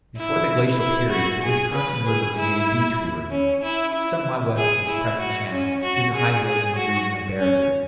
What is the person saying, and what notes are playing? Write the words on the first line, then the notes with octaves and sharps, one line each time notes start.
Before the glacial period the Wisconsin River made a detour some miles west of its present channel through the high hills in the region of Baraboo.
E4
E4
F#4
G#4
B4
G#4
E4
C#4
E4
E4
G#4
E4
F#4
C#4
F#4
G#4
G#4
F#4
C#4